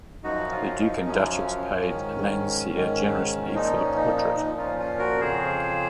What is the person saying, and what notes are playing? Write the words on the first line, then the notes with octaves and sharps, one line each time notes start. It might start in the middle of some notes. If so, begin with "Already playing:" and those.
The duke and duchess paid Landseer generously for the portrait.
F#2 F3 D#4 F#4
C#4 F4
D#4
F#2 F3 C#4
C#4
G#2 D#3
G#2
D#3
C#4
A#2 F3 D#4
C#4
D#4
D#4
A#2 F3 D#4
C#4 F4
C#4 F4
F#4 A#4
F2 C#3 F3 G#4 C5